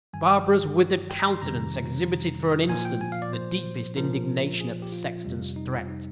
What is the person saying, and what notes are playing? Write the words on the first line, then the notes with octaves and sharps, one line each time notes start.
Barbara's withered countenance exhibited for an instant the deepest indignation at the sexton's threat.
G2 D#3 G3 G#5
G5
G5
A#5
C6
F2 C3 D#3 G3 A#5
A#2 F3 G#5
G5
G#5
F5
D5
C5
A#2 F3 A#4
G#4
G4
F4
F2 C3 G3
D#4
F4
D#4